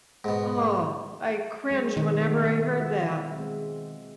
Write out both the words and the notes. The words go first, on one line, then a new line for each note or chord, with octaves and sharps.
Oh, I cringed whenever I heard that.
G#2 B2
F#3 G#3 C4
B2 D#3 G#3 B3
F4 F#4 E5
G#3 C4